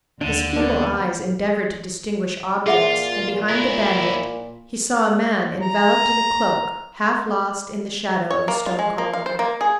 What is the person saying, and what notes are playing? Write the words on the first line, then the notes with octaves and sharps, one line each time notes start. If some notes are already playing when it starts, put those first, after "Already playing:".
His feeble eyes endeavored to distinguish objects, and behind the bandit he saw a man enveloped in a cloak, half lost in the shadow of a stone column.
D#2 D3 D4
A#3 B3 D4
A#2 F4 G#4 E5 F#5
E4 A#4
A#5
C#5
A#3
F4
G#3
A#3
F5
C5
A#3
G#4